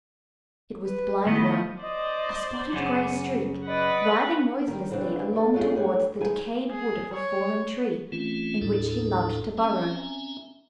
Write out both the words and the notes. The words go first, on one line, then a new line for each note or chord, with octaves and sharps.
It was the Blindworm, a spotted gray streak, writhing noiselessly along towards the decayed wood of a fallen tree, in which he loved to burrow.
B4
B2 D#3 A3 B3 E4 D#5
C5 D5 D#5 D#6
F#2 C#3 F#5 G#5
B4 D5 D#5 F#5
D#3 G3
C#3 E3 B3 C4 D4
G4 A4
F#3 G#3 A3 F4 G#4
G2 A3 D4 G4 C#5
E3 D#4 G#4 G#5
G#4
C#5
E3 A3 C4 C#4 F4
D#2 A2 D4 E4 A4
C4 C#4 E5 G#5 A#5